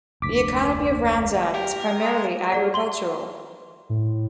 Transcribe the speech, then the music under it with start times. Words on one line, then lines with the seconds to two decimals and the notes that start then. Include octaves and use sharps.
The economy of Ranzan is primarily agricultural.
0.22 F1 D2 D6 B6
1.55 G4 A#4
2.00 G#3 A4
2.52 G#4 D5 F#5
2.74 C6 G7
3.90 A2